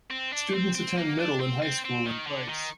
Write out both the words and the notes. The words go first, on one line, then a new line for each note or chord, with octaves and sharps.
Students attend middle and high school in Price.
C4
D4
C4
C4
A#3
D4
C4
C4
C4
D#3
D3
D#3